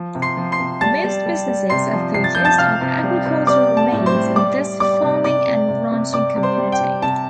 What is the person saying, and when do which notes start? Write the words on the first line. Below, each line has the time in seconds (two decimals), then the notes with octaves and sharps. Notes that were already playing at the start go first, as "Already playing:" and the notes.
Most businesses are focused on agricultural needs in this farming and ranching community.
Already playing: F3
0.15 C3
0.22 C6 C7
0.37 F3
0.52 C6 C7
0.60 C3
0.81 G3 A5 A6
1.04 G3
1.26 G3
1.48 G3
1.70 C3 C6 C7
1.93 F3
2.14 C3 C7
2.24 A6
2.35 F3 G6
2.45 A5 A6
2.58 C3 F5 F6
2.81 C3
3.03 G3
3.26 C3
3.47 G3 D5 D6
3.70 G3
3.77 A5
3.92 A2
4.06 C5 C6
4.15 G3
4.36 G3 D5 D6
4.58 G3
4.80 G3 D5 D6
5.02 C3
5.24 C3 D5 D6
5.47 C3
5.69 C3
5.91 C3
6.13 C3 D5 D6
6.36 C3
6.43 C5 C6
6.58 G3
6.72 G5
6.80 C3
7.02 C3 A5